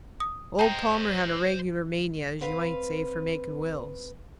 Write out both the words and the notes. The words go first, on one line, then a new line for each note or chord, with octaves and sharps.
Old Palmer had a regular mania, as ye might say, for makin' wills.
D#6
C5 D#5 G5 A#5
C4 B4 F5